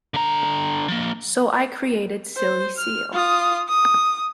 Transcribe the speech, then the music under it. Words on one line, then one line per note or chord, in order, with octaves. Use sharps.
So I created "Silly Seal".
D3 A#5
F3 A#3
C5
F6
F4 D#6
D#6